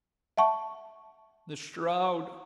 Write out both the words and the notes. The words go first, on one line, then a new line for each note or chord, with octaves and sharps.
The shroud!
E5 F#5 A5 C#6